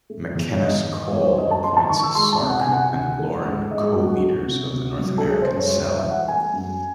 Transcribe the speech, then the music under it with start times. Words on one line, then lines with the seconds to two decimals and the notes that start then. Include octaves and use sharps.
McKenas Cole appoints Sark and Lauren co-leaders of the North American cell.
0.10 A3
0.35 E2
0.51 C#5
0.62 E2 D#5
0.87 D#3
1.12 F#3 C#5
1.26 C5
1.38 F#2 D#5
1.51 A5
1.64 A3 C6
1.77 A5
1.89 D#3 C#6
2.03 E6
2.15 G#3 C6
2.32 A5
2.42 C3
2.50 F#5
2.61 G#5
2.67 C3
2.73 F#5
2.93 D#3
3.19 A3
3.45 G#2
3.70 G#2 D#5
3.83 G#4
3.96 F#3 F#4
4.09 F#4
4.22 A3
4.47 C3
4.73 C3
4.99 F#3
5.18 A4
5.25 A3 G#4
5.42 C5
5.51 F#2
5.59 C#5
5.69 C5
5.76 F#2 C#5
5.94 E5
6.02 E3
6.11 F#5
6.28 A3 G#5
6.53 F#2